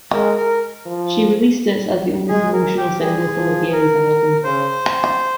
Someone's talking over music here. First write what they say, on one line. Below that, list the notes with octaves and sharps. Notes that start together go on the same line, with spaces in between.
She released it as the only promotional single from the parent album.
G#3 A#4
A#4
F3
G#3 G#4
A#4
G4
G3 G#4
F3
A#4
C#3 C5